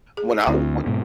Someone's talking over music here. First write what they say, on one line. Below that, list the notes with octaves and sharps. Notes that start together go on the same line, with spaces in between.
when I w w
G#4
D2 C4 D4 E4
G#2 B2